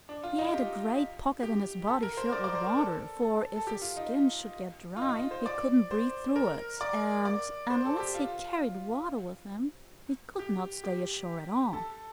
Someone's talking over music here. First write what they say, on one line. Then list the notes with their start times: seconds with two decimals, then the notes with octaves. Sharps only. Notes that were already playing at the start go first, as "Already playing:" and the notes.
He had a great pocket in his body filled with water, for if his skin should get dry he couldn't breathe through it, and unless he carried water with him he could not stay ashore at all.
0.09 D4
0.24 F4
0.38 D#4
0.53 G4
1.43 G4
1.87 A4
2.03 A#4
2.17 C5
2.32 D5
2.44 D5
2.55 C5
2.66 A#4
2.77 A4
3.22 A4
3.56 A4
3.67 G4
3.82 F4
3.97 D#4
4.96 F4
5.02 D#4
5.09 F4
5.16 D#4
5.31 C5
5.46 D5
5.91 C5
6.36 A#4
6.81 D5
7.25 D5
7.70 C5
7.85 A4
8.00 G4
8.15 F4
10.39 G4
10.84 G4
11.73 A4